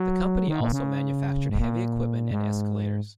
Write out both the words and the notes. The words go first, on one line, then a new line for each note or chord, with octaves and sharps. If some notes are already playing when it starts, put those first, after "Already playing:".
The company also manufactured heavy equipment and escalators.
Already playing: F#3
D#3
A#2
C#3
G#2
A#2
G#2